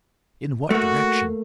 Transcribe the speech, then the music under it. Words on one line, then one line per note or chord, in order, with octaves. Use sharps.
"In what direction?"
A3 A#3 F#4